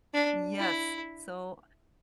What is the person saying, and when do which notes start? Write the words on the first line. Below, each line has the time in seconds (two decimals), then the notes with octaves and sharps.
Yes. So,
0.14 D4
0.59 E4